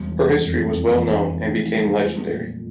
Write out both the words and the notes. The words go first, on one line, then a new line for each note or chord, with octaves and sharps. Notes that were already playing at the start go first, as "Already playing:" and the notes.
Her history was well known and became legendary.
Already playing: E1 G3
E3
F2
F2
E3
F2
F1
G3
F3
A#2